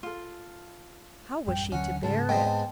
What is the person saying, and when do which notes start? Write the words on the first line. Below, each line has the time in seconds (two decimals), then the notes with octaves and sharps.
How was she to bear it?
0.03 F4 A4
1.47 A1 F#2 G3 G5
1.72 D2 D3 F#3 C#4 F#5
2.03 C#2 G#2 A5
2.29 G#3 B3 C4 G5